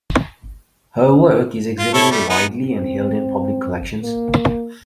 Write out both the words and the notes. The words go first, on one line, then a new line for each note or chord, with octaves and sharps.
Her work is exhibited widely and held in public collections.
F4
E4 A4 C#5
G3 A3
B3 D#4
C4
A#3